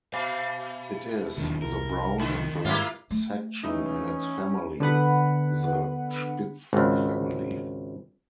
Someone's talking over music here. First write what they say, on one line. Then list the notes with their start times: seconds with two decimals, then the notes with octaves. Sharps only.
It is in the "brown and black section" in its family, the Spitz family.
0.14 B2 F5
1.38 E1 D#2 D#3 F3 D4
1.62 C2 A#4
2.20 D3 D#3
2.65 G#2 A#3 E4 F4
3.11 A3
3.63 E3 C#4 D#4 E4
4.80 D3 B3 B4 F#5
6.73 G#1 C#2